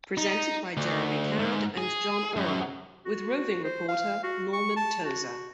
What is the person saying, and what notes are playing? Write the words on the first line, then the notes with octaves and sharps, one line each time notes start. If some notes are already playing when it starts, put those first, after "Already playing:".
Presented by Jeremy Carrad and John Earle with roving reporter Norman Tozer.
D#4
D2
G#2
G#4
F#2
F#4
C5
F5
F#4
C#6
A5
F#4